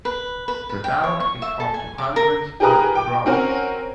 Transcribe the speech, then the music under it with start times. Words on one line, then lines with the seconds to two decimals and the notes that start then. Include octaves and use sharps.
The town is home to hundreds of brothels.
0.05 B4
0.48 B4
0.69 B4
0.84 G5
1.04 C#5
1.20 C#6
1.42 E5
1.60 A4
1.74 G#5
1.98 D6
2.16 A#4
2.60 G4 G#4 A#4 B4 A#5 D#6
2.95 G5 D6
3.26 C4 C#4 F#4 A#4 C5